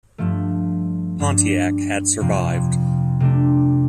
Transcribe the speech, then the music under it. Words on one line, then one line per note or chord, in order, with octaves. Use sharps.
Pontiac had survived.
G2 F3 A3
G2 G3 D4
F2 C3 F3 C4
C3 A3 D4